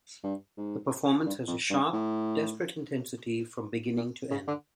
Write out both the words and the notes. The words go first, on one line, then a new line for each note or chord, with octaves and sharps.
The performance has a sharp, desperate intensity from beginning to end.
G2
G#2
G2
F2
G2
A2
A#2
C#3
D3